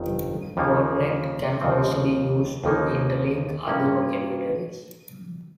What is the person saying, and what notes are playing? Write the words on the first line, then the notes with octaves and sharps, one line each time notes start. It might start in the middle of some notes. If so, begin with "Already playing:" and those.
WordNet can also be used to inter-link other vocabularies.
Already playing: G1 F2 D#3
D#2 C#3 F3 A#3 D#4
D#2 C#3 F3 C4
D#2 C#3 F3 A#3 D#4
G2 F3 A#3 C#4